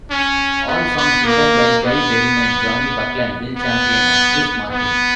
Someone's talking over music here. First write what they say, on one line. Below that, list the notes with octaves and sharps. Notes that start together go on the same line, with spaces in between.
All songs written by Guy Berryman, Jonny Buckland, Will Champion and Chris Martin.
C#4
B3
B3
A#3
B3
B3
B3